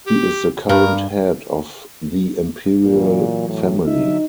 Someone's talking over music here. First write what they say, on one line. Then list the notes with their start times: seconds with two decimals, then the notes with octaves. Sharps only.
He is the current head of the imperial family.
0.06 G4
0.69 G2 A#4
2.84 A#2 E3 F#3
3.48 A2
3.86 D3 F#3 D#4 E5